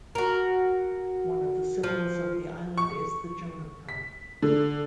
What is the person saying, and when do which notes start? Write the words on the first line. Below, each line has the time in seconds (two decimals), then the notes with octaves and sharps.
One of the symbols of the island is the juniper.
0.15 F#4 A#4
1.83 F3
2.78 C#6
3.89 B6
4.42 D3